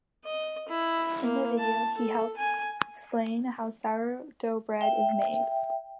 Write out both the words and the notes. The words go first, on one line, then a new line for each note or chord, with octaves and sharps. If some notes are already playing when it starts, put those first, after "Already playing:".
In the video, he helps explain how sourdough bread is made.
D#5
E4
A#3
A5
A4
G#5
E5 G5